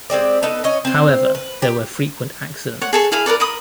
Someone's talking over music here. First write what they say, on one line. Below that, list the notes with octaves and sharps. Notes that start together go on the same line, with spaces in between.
However, there were frequent accidents.
G#3 C4 G4 D5
B3 D#4 A4 B4
C#4 C#5 D#5
C4 C5
B4
G4
C#5 F#5
G#4 A4 C#5
E4 G#4 F5
A#4 B4 C#5 D5
A#4 B5 D#6